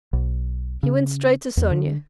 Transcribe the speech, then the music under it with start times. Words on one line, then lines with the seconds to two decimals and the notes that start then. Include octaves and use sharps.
He went straight to Sonia.
0.13 B1
0.83 C#3
1.57 E2
1.71 D3